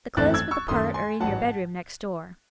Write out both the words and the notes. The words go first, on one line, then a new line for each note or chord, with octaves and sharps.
The clothes for the part are in your bedroom next door.
G#1 F#2 E3 A3 C4 F#6 A6
E6 G#6
C#6 E6
F#2 D#3 A3 C6 D#6
G#5 C6
A1 G#2 F#3 F#5 A5